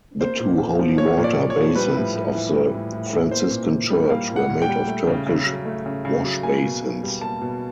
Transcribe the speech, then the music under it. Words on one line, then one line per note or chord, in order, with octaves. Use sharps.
The two holy-water basins of the Franciscan Church were made of Turkish washbasins.
A#3 C5
A#2
A#2
F3
A#3 C#5
A#2
D5
A#2
C#5
F3
G3 B4
A2
A2
E3
G3
A2
A2
E3
A#3 C5
A#2
A#2
G3
A#3 F5
A#2
F#5
A#2
G5
G3
A3
C#3
C#3
F#3
A3
C#3
C#3
F#3
A#3 G#5
B2
B2
G3
A#3 A5
B2